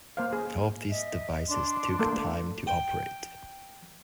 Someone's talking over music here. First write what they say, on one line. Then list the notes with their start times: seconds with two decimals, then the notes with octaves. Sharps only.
All of these devices took time to operate.
0.17 A#3 C5 F5
0.33 G#4
0.90 D#5 E5
1.47 D4 C6
1.99 A3 A#3 A4
2.67 G5